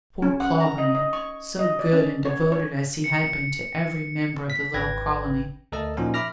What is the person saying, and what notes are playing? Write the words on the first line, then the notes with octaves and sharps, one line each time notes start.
Poor Clawbonny, so good and devoted as he had been to every member of the little colony!
C#4
F#5
A#5
D#5
D#5
C#6
D#5
D5
C#4
C#5
C#5
C#7
B6
G#1 B4 G5 G#6 A#6
D2 A4 A#4 D#5 A5
A#2 F3 C#4 D#4 F#4 A#4
E5 B5 D6 F6 A#6